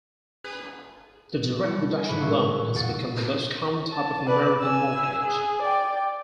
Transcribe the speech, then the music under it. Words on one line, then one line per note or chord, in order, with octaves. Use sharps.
The direct reduction loan has become the most common type of American mortgage.
G3 E4 A4 C#5 C#7
G#4 G#5
B1 G#2 C#3 B5 F#6 C#7
D#1 A#2 G#3 E5 C#6
D#1 F2 G#4 F#5 A6
A5
B4 D5
G#5 E6
G#4
D5 G5